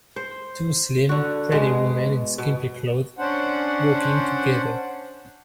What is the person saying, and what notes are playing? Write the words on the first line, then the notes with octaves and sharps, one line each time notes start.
Two slim, pretty women in skimpy clothes walking together.
C5
D3 F#4
B2 G#3
B2
C#4 D4 C5 F#5